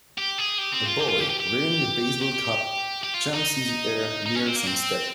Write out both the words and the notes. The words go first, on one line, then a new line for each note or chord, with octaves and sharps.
A boy, wearing a baseball cap, jumps in the air near some steps.
G4
G#4
G4
C4
F4
G4
F4
G4
G4
G4
G4
G4
F4
D#4
D#4
C#4
C4
A#3
C4